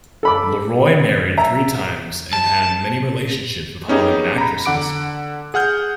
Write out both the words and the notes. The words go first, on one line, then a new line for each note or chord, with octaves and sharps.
LeRoy married three times and had many relationships with Hollywood actresses.
A4 B5 D6
E5 A#5
A5
B3 C#4 D#4 G4 G#4
A#5 B5
D3 F#5 D6 D7
G#4 F#5 F6 G6